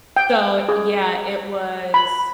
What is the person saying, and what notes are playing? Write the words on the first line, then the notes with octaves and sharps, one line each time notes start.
so, yeah, it was,
G5
G#4
B5